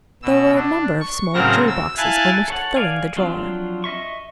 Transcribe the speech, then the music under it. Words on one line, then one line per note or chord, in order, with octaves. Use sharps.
There were a number of small jewel-boxes almost filling the drawer.
B2 E6
D4
C#6
A2 C#3 F#3 C4 A#4 A#6
E6
E4 F5 G#5 A5 F#6
A4 C#5 F#5
D5 F5 G#5
F3 F#3 C4 D4 F4
D#5 E5 C#6